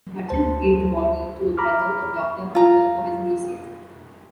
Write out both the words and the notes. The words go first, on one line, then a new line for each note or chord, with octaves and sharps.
Butchell gave the body to a brother of doctor Hunter for his museum.
D2 C5 A5
A#5 B5 D6 F6
F4 A#5